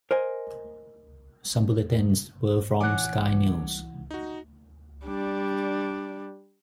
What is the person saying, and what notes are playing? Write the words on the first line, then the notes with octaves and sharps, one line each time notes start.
Some bulletins were from Sky News.
A#4 C5 D#5 G#5
E3 C#5 F#5 G#5 D6
D#4 F#4
G3 D4